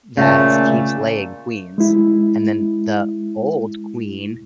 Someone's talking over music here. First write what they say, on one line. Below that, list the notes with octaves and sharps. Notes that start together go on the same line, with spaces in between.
that’s keeps laying queens, and then the old queen
A#2 C#3 A3 A5
G#3 E4